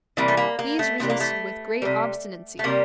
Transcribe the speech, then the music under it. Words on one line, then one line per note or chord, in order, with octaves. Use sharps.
These resisted with great obstinacy.
C3 E3 G3 A#3
A3
A#3
A#3
A3
C3 E3 G3 A3
A#3
A3
C3 G3
A3
C3 G3 A#3